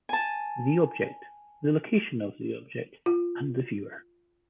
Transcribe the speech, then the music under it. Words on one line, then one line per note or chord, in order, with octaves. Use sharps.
The object, the location of the object, and the viewer.
G#5 A5
F4